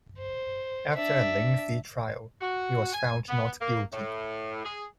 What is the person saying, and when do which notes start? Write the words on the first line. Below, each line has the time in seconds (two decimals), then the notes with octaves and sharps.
After a lengthy trial, he was found not guilty.
0.18 C5
0.95 D4 E5
2.41 F#4
2.93 G#5
3.29 B3
3.61 A#3
3.93 A2
4.65 G#4